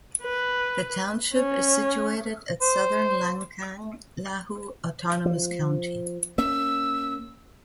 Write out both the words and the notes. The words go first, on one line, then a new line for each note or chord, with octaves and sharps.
The township is situated at southern Lancang Lahu Autonomous County.
B4
C#4
C5
F3
A#3 C#4 E6